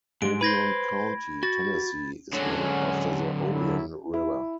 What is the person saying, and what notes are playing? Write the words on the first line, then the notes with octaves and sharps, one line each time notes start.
Obion County, Tennessee, is named after the Obion River.
G#2 G#3 D7
B4 C5 B5 G#6 A#6
F#4 A6
D3 F#3 G#3 C#4
F#2 E4
E4